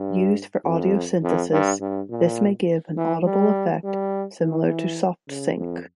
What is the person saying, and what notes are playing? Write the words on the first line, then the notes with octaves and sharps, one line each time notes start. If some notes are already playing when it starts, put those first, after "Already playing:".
Used for audio synthesis, this may give an audible effect similar to Soft Sync.
Already playing: G2
F2
F2
G2
G2
A#2
E3
G3
G3
E3
C#3
F2